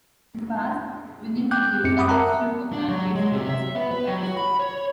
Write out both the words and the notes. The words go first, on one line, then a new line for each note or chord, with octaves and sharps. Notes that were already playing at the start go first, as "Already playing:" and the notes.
In the past, Vinyon was used a substitute for plant-based filters in tea bags.
G5 D6 F#6 G6
F#2 C4 C#7
E5 F#5 B5 D6 D#6
A#4 E5 A5 A#5 F#6
D4
F#3
G#3
C3
E5
B3
B4
F#3
F#4
B5
C#5